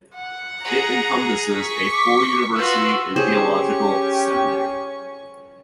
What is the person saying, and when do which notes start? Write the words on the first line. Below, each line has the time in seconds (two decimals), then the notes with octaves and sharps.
It encompasses a full university and theological seminary.
0.16 F#5
0.64 G#4 A#5
1.56 C#6 B6
1.91 D6
2.56 F4 F#4 B4 E6
3.16 C#4 G4 G#4 C5 C#6